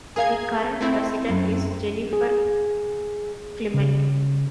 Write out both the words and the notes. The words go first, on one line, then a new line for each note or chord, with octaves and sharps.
The current President is Jennifer Clement.
G#4 A#4 F5 G#6
A3 C4 E4
F#2
G#4
C#3